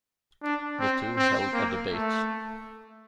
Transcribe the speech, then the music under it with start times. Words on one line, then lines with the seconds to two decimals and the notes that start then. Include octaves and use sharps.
The two held a debate.
0.43 D4
0.80 C4
1.16 C4
1.53 A#3
1.90 A3